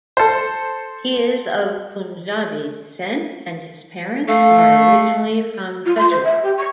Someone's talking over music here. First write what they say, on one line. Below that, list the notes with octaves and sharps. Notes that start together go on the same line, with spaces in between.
He is of Punjabi descent and his parents are originally from Peshawar.
A4 C5
A3 F5
F4
C6
C5
E5
G4
C#6